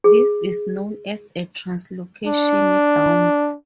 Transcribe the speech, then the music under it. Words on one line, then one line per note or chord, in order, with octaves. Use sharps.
This is known as a 'translocation Downs'.
G#4
D4